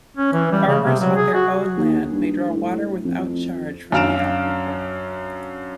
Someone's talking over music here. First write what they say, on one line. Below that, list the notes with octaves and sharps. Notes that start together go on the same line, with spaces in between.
Farmers on their own land may draw water without charge from the aquifer.
C#4
E3
G3
C#3
C3
F#3
G#4
F#4
D#2
G2
A2
F2
F#2 D4 F5 F6 D7 E7